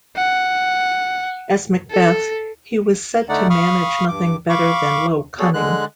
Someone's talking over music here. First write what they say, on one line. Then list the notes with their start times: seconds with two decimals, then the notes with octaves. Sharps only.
As Macbeth, he was said to manage nothing better than low cunning.
0.16 F#5
1.91 A4
3.29 D3 A3 D#4 D5 F#5
3.50 F5 B5 C#6 D#6 F6
4.08 G2 D6
4.49 F5 B5 C#6 D6
5.39 B3 F#4 G#4 A4 C#5 D5
5.54 D3 G#3 F#6